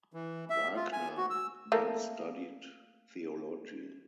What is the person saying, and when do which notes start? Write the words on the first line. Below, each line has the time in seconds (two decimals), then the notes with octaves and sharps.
Wagner then studied theology.
0.13 E3
0.50 E5
0.76 F4
0.93 G#5
1.17 F#4
1.30 E6
1.72 A3 A#3